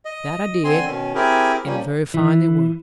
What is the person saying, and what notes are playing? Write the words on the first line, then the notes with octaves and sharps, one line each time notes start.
'That I did; and very fine they were.
D#5
D3 C4 G#5 C6
B2 D#3 C#4
C4 E4 G4 G#4 A#4
F3 G3 A#3 C#4
E3